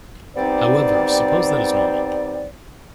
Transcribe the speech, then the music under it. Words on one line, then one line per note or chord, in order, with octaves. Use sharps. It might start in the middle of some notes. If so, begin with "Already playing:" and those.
However, suppose that is normal.
G3 B3 C4 D#4 C5 D5